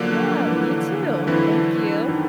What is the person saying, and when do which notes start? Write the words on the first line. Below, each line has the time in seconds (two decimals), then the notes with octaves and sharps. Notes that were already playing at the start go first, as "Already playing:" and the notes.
Yeah, you too, thank you,
Already playing: D3 F3 F#3 A#3
0.47 E3
1.27 D3 E3 F#3 A3 C4 E4
2.08 D#3